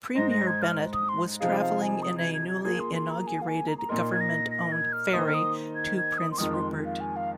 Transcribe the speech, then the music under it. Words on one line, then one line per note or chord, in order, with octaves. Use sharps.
Premier Bennett was travelling in a newly inaugurated government-owned ferry to Prince Rupert.
G#2 G#3 D#4 C5 A#6
A#6
G#6
F6
D#6
C6
C3 F3 C4 D#4 G#4 F5
F5
G#5
D#6
G#6
G#6
G#6
A#3 F4 G#4 G#6
C6
C6
A#5
G#5
F5
G#5
A#5
A#5
A#2 A#3 D#4 A#4 C6
G#6
A#6
A#6
G#6
F6
D#3 A#3 D#4 C5 D#5 D#6
F6
D#6
G#6
G#6
D#6
C6
F2 D#3 G#3 F4 A#4 D#6
C6
F5
G#5
F5